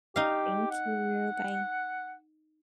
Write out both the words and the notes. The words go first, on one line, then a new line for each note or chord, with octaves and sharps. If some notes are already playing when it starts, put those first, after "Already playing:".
Thank you. Bye.
D#4 G4 F5
F#5